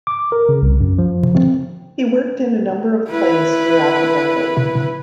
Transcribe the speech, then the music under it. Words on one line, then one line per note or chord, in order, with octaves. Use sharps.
He worked in a number of plays throughout the decade.
D6
A#4
C#3
C2
F#2
F3
C4
E4 B4